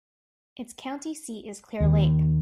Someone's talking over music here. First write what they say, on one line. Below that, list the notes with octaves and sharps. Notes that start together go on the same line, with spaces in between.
Its county seat is Clear Lake.
D#2